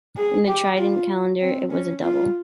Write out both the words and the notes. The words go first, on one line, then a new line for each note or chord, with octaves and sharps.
In the Tridentine Calendar, it was a Double.
G#4
G4
F4
C4
C#4
F4